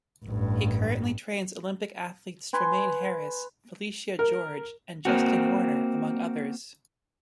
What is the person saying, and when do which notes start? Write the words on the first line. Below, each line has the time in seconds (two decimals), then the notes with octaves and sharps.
He currently trains Olympic athletes Tremaine Harris, Phylicia George and Justyn Warner, among others.
0.25 A1 G2
2.53 B4 G#5 C6
4.19 A#4
5.05 A#3 C4 F#4